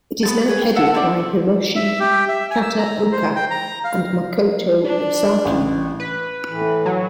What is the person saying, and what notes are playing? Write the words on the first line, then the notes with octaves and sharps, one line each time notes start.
It is now headed by Hiroshi Kataoka and Makoto Osaki.
B3 C4 A5
G#4 B4 C#5
G5
A4 E5 F#5 A5
C4 A4 D5 E5
E5
G4
E5
G#5
E6
A#5
C5
G5
A#5
F5
D4
A1
B4
A2 E3
F#3